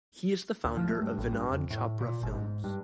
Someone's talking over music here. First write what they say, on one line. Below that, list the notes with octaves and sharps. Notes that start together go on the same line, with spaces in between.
He is the founder of Vinod Chopra Films.
D2
F3
A3
G2
A1
G2
F2
A2
A#2
G1
G#2
G2